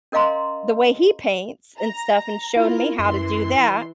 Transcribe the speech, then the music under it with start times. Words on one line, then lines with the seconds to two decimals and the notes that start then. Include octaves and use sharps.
the way he paints and stuff and showed me how to do that.
0.12 C#4 A#4 D#5 F5 A#5 C6
1.79 A#5
2.56 E4 F4 A#4
2.99 F#2 E3 C6